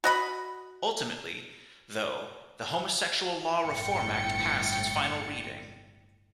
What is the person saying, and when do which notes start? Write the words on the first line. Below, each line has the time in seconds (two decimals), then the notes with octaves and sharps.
Ultimately, though, the Homosexual Law Reform Act passed its final reading.
0.04 F#4 D#5 B5
3.62 G1 A2 G5 A6 C#7